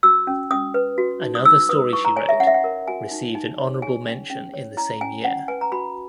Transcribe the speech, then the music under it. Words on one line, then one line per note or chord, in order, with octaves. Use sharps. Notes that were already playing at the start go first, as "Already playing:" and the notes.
Another story she wrote received an honorable mention in the same year.
F#4 E6
C#4
C#4 D#6
B4
F#4
D#4
D#6
D#4 E6
B4 D#6
E4 C#6
A#5
C#5 G#5
E5
C#4 F#5
E5
F#5
A#4
F#4 G#5
D#4
D#4 G#5
C#5
G#4 G#5
C#4
C#4
C#5
E4 A#5
C#4 G#5
C#4 F#5
B4 G#5
A#5
F#4 B5